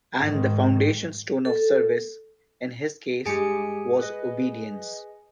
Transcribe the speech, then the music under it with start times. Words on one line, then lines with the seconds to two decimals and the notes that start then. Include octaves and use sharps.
And the foundation stone of service, in his case, was obedience.
0.22 G#2 D#3
1.45 A4
3.26 G2 G#3 G4 G#4 G#5 C#7
3.99 B4 D#5